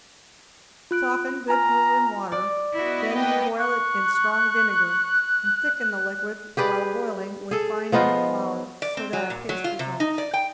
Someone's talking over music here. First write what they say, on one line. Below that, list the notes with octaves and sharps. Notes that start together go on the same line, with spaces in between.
Soften good glue in water, then boil it in strong vinegar, and thicken the liquid while boiling with fine wheat flour, so that a paste results.
F4 F#6 D7
F4 G#5 A#5 F6
D5
B3 E4 F#4 B4 D#5
A#3 G5
C#6 F#6
G4 G#4 B4 D5
G#4 A4
F3 B3 D#4 F4
D5
C4
F#3
A#2
F#3
F4
C3
D#4
D5
G5